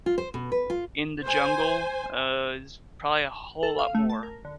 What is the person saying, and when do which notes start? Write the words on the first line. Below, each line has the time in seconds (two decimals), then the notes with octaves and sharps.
in the jungle, uh, it's probably a whole lot more.
0.06 F4
0.18 C5
0.34 B2
0.52 B4
0.70 F4
1.23 C5 G#5
3.63 A4
3.79 F5
3.95 A3
4.10 A5
4.23 A#4
4.45 D3